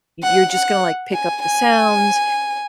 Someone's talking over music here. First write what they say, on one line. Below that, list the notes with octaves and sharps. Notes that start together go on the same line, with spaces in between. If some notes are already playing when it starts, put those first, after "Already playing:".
you're just gonna, like, pick up the sounds,
F#5
F#5
G#5
G#5